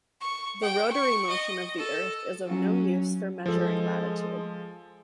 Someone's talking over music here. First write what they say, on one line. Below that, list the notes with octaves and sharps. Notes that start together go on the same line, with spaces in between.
The rotary motion of the earth is of no use for measuring latitude.
C#6
G5
C#6
D#5
A4
F#3 C#4
F3 G#3 A4